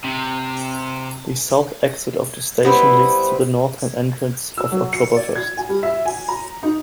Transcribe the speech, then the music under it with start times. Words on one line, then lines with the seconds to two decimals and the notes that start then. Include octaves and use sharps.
The south exit of the station leads to the northern entrance of Oktoberfest.
0.04 C3
2.64 G3 B3 C4 E4 B4 C5
4.58 E6
4.72 F#3
4.93 C#7
5.16 D5
5.35 G#6
5.57 G#5
5.69 G3
5.83 E5
6.05 G#5
6.28 A#5
6.63 D#4